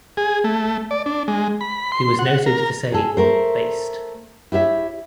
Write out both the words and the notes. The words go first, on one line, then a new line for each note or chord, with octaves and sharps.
He was noted for saying ""Baste!
G#4
A3
D5
D4
G#3
B5
C6
F#5
A#4
G#4 A4
A3 A#4 C5
E4 G4 C#5 E5